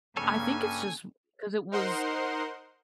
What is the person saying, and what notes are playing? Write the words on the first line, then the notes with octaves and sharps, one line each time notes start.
I think it's just 'cause it was, eh
G2 C#3 A#3 C#4 A4 C#5 G#5
D#4 A#4 C5 F#5 C6